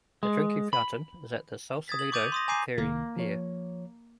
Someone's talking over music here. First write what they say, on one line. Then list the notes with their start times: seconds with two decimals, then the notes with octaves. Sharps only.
The drinking fountain is at the Sausalito Ferry Pier.
0.23 G#3
0.73 B5
1.88 D#6 G#6 A6 B6
1.99 F#7
2.12 C#6 D6 G6 A6 D#7 F7
2.32 C6 D#6 A#6
2.48 G#5 A#5 D6 G6 C7 D#7
2.78 C2 D#3 A#3
3.16 F3 C#5